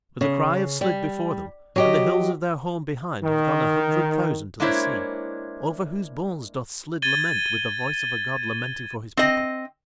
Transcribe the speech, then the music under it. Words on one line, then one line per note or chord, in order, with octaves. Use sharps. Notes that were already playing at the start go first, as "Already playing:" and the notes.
With the cry of Slid before them and the hills of their home behind have gone a hundred thousand to the sea, over whose bones doth Slid lament with the voice of a god lamenting for his people.
C#3
G3
F#3 G4 D#5
D#3
G#3 A#3 D4 E4 C5 C#5
G#6 A6 D#7 G7
C4 D#5